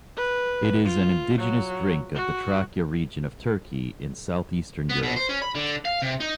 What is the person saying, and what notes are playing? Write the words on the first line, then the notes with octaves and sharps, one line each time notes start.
It is an indigenous drink of the Trakya region of Turkey in southeastern Europe.
B4
F4
F#3
F#4
B3
B2
C5
C#4
B5
D3
F5
C3
D#4